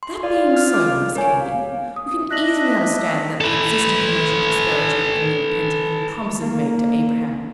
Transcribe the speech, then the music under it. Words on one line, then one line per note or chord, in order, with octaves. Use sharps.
'That being so, Miss Cayley, we can easily understand that the existing commercial prosperity of England depends upon the promises made to Abraham.'
C6
F4 D5
D4 F6
D6 F6
A#4 C#5 G#5
F5
D#6
D4 D#5 E5 F#6 A#6 F#7
A4 B4
A#3